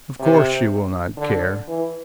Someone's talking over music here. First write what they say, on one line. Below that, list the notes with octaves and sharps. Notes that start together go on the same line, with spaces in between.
Of course she will not care.
C3
D3
E3